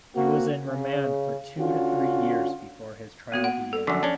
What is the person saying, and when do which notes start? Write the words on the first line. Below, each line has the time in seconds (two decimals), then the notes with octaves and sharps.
He was in remand for two to three years before his trial began.
0.15 A#3 C4 F#4
0.65 C#3
1.59 D3 C#4 F4 F#4
3.32 A#3 B3 F#4
3.44 F#5
3.73 A4
3.87 F#2 D3 F3
4.03 C#4 D4